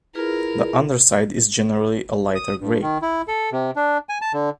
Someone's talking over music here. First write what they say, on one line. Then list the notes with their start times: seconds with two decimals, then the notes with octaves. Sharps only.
The underside is generally a lighter gray.
0.15 E4 F4 G#4 A#4 B4
2.35 D#6
2.60 G2
2.82 D#3
3.02 E4
3.28 A4
3.52 C3
3.76 D4
4.09 G#5
4.22 A5
4.34 D3